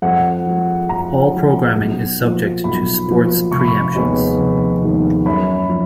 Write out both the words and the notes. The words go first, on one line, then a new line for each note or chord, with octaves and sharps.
All programming is subject to sports pre-emptions.
F2 F#5
F3 G#3
F2 A#5
F3 G#3
B1
A#2 F3
B1 B5
A#2 F3
F1 C#6
B5
C#6
D#2 D#3 G#3 B3
F1
D#2 D#3 G#3 B3
F#2 B5
F3